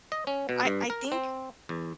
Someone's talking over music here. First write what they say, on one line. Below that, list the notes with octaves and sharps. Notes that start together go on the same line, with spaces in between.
I I think
D#5
C#4
B2
G2
A#4
C4
E2